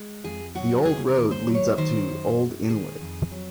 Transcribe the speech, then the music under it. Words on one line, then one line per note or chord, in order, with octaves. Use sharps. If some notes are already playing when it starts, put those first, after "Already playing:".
The old road leads up to Old Inlet.
Already playing: G#3
F2 G#4
F#3 F#4
C#3 G#4
A#4
D#2
C5
F#3
C#5
D#3 C5
F#2
G#3
D#3 G#4
F2
F#3